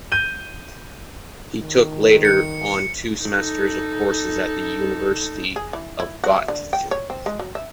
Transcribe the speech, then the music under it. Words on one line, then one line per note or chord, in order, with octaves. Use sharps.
He took later on two semesters of courses at the University of Göttingen.
G6 D#7 G7
D#3
C#7
D#4 A4
G#4
E3
E4
F#4
E5
D3
G5
C#5
C4
G#3
F#3
E5